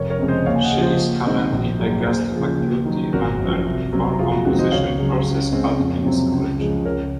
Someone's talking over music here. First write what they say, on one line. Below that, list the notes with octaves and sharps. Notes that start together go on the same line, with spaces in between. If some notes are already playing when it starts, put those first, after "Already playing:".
She is currently a guest faculty member for composition courses at Mills College.
Already playing: F1 A#4 C#5
A#4 C#5
F2 C#3 G#3 C4
C5 D#5
D#2 C#5 F5
G#5
D#5 F#5
C#3
F3 C5 D#5
D#2
D#3 G#3 C4
A#1
G#2 F#3 A#3
D#2 G#4 C5
C#3 F3
D#2
D#3 F#3
G#1 F#4 A#4
F#2 F3
C2
C3 F#3 C4
F1 F4 G#4
F#4
F2 D#3 G#3 C4 F#4
C5 D#5
C#2 C#5 F5
C#3 F#3
C#2
C#3 G#3 C4
F2
C3 F#3 C4
C#2
C#3 F3 G#3
C#2 A#4 C#5